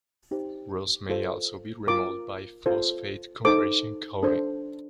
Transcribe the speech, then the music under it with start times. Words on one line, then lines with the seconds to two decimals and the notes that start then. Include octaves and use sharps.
Rust may also be removed by phosphate conversion coating.
0.31 D#4 G4 C5
1.09 F4 A4 C5
1.87 F4 A#4 D6
2.66 F4 A4 C5
3.45 D#4 A4 C5 D6
4.23 D4 A4 C5